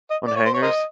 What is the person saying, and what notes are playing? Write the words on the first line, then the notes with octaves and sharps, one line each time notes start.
On hangers?
D#5
D5
C#5
C5
C#5
A#4 C5 D#5